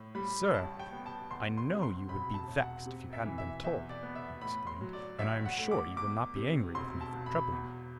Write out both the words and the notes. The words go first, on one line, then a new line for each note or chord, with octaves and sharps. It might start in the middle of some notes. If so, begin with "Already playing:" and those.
"Oh, sir, I know you would be vexed if you hadn't been told," he exclaimed, "and I am sure you will not be angry with me for troubling you."
Already playing: A2
G3 B5
A1 A5
G5
B3
A5
E2 C6
C6
C3
C6
E1 B5
A5
E1
F#5
C3
E5
E3
E5
E2 E5
D5
B3
E5
A2 B5
C6
F#3
D5
A1 E5
F#5
A3
D6
E2 D6
C3
E1 C6
A5
E1
B5
E2